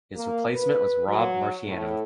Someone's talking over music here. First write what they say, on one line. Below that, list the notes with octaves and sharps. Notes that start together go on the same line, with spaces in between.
His replacement was Rob Marciano.
A#3
B4
F#3
A2